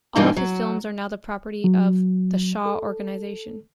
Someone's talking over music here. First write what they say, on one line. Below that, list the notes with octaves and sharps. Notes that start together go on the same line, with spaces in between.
All of his films are now the property of the Shaw Organisation.
G2 B2 E3 G3 A#3 D#4
F#3
F#3
A4